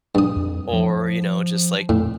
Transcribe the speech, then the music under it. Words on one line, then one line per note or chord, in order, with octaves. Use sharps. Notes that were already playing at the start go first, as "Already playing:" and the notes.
or, you know, just, like,
G2 D#6
F2
F3
F2 A2